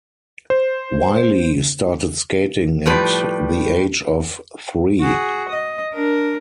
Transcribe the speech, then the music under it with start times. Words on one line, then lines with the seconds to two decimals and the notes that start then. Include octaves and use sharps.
Wylie started skating at the age of three.
0.50 C5
2.86 A2 F3 G3 B4
5.01 F#4 G#4
5.49 D#5
5.93 D4 A#4